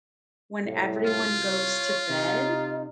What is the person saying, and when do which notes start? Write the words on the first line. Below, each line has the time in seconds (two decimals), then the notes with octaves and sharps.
when everyone goes to bed
0.65 C2 A2
1.06 F4
1.48 C#5
2.10 C3 D#4